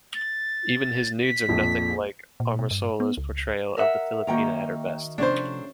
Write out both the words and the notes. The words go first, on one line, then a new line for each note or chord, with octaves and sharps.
Even his nudes are nothing like Amorsolo's portrayal of the Filipina at her best.
A6
B6
A#1 F2
A#2
B2
G2
B3
C#2
A#4 E5 F#5
D#3 A#3 F#4 G5 A#5
C3 F3 A3 C#4 D4 C5